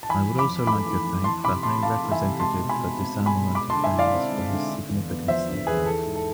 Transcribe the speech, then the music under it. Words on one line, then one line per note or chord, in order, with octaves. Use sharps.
I would also like to thank the High Representative for Disarmament Affairs for his significant statement.
A5
E3 G#5 B5
F2
B5 D6
F2
A3 B5 D6
E3
F2
E3 A5 C6
C3 B5 D6
C3 A5 C6
A3 F5 A5
E3
E5 G#5
C3
G#3 A5 C6
B2
G#5 B5
B2
C4
G#3
G#5 B5
B2
G#3 B5 D6
A5 C6
D3
E5 G#5
E4
D5 F5
C4
G#3
D3
D3
E2
B3
F3 C5 E5
D3
E2 G#4 B4
E3 A4
G#2
A4